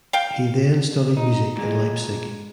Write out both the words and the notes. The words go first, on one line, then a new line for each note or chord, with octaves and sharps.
He then studied music in Leipzig.
F5 G5
D#4
A#2 G#3